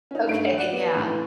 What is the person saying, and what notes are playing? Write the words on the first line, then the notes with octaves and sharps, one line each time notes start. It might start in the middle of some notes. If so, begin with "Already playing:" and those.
Okay, yeah.
C#4 D#4
G2 A3 D7
D5 F#5
B3
A2 C#3 E3